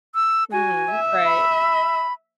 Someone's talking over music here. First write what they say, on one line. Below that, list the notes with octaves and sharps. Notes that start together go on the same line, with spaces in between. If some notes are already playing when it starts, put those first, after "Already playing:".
Mhm, right.
E6
F#4 G#5
E5
B5